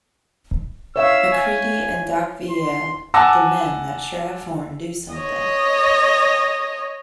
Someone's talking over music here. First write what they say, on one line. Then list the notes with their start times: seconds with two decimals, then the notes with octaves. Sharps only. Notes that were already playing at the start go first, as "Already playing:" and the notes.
Macreedy and Doc Velie demand that Sheriff Horn do something.
0.96 C#5 E5 F5 E6
1.32 G#5
2.50 C6
3.14 F#5 G#5 A5 D6 E6 A#6
5.15 C#5 D#5